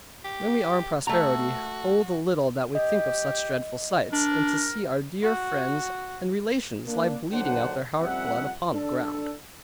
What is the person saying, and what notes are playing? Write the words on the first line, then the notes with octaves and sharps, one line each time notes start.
When we are in prosperity, Oh the little that we think of such dreadful sights, and to see our dear friends, and relations lie bleeding out their heart-blood upon the ground.
G4
A3 F#4 A#5
G4 D#5
D4 A#4
F#4
A#3 D4
D#2 D3 F#3 D4 C5 F#5
F2 G3 C4 C#4 E5 F#5
D4 A4